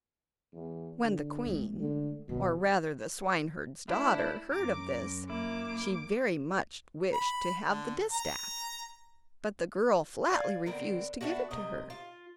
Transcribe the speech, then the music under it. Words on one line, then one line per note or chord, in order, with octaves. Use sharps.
When the queen--or, rather, the swineherd's daughter--heard of this, she very much wished to have the distaff, but the girl flatly refused to give it to her.
E2
D3
G#3 A3
D3
E2 B2 D#3
A3 A#3 D4 E4
F#2 A#5 D6
A#3 E4 D6
B5
D3
A#5
D5 F5 G#5
D3 B3 C4 A#4
A3 B3 D4 F#4
C3 A#4 D#5
F4